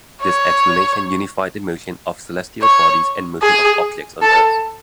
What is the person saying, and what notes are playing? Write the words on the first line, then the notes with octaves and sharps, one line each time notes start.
This explanation unified the motion of celestial bodies and motion of objects on earth.
C#5
C#5
G#4
A4